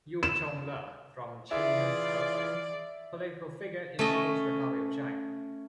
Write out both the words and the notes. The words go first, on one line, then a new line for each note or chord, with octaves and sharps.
Yu Chongle, from Qingyun, Hebei, political figure in People’s Republic of China.
E7
E3 F4 G#4 D5 E5
A3 C#4 A4 D#5